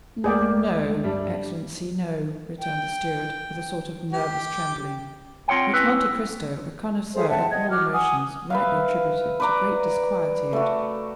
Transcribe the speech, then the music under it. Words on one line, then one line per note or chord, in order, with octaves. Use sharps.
"No, excellency, no," returned the steward, with a sort of nervous trembling, which Monte Cristo, a connoisseur in all emotions, rightly attributed to great disquietude.
D2 G#3 A#3 G#4 D5 G5
A3
G2 G3 D4 E5
G5
G4
C4 F4 C#5 F#5 G5
C4 C#4 E4 B4
G#4 A4 C5 E5
E5 F#5 G5 A5
D#5 F#5 G#6
F#4 D6 F6
F#5 G#5 D#6
B4 E5 F5
B4 D5 A#5
A3 F#4